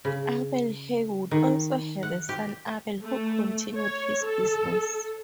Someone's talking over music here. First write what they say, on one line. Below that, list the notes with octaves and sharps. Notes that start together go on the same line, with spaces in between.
Abel Heywood also had a son Abel who continued his business.
C#3
D#3
F#5
G4
A3
C#5
A4